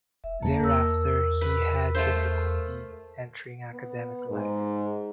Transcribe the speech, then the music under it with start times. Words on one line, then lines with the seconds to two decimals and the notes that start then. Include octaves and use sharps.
Thereafter he had difficulty entering academic life.
0.24 E1 E5
0.42 E2 A#3 A5
0.60 E2 A#4 E6
1.41 B4
1.95 A3 F4 C5
3.73 B3
4.30 G#2